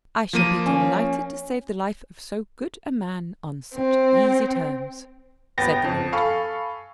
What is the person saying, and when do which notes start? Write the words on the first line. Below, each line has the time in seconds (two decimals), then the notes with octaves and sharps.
"I shall be delighted to save the life of so good a man on such easy terms," said the lord.
0.33 F3 A#3 D#7
0.66 C#4
3.73 C4
5.58 G1 B3 G5 A6 A#6
5.84 F2
6.12 A4 F5 G#5 B5 C#6